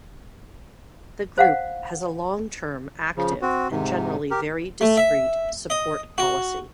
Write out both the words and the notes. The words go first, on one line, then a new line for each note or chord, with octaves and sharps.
The Group has a long-term active and generally very discrete support policy.
C5 F5 F#5
C#3 F3
C4 F#4
G#2 C3
G4 A#4
A3
E5
D#5
F#4